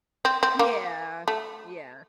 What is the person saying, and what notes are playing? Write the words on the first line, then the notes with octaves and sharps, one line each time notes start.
Yeah. Yeah.
C4
C4
A#3
A3